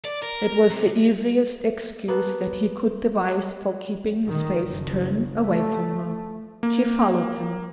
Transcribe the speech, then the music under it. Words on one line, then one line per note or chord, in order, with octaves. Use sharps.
It was the easiest excuse that he could devise for keeping his face turned away from her. She followed him.
D5
A#4
C3
A#3 B3 A4
D#3
F#1
A3
A#3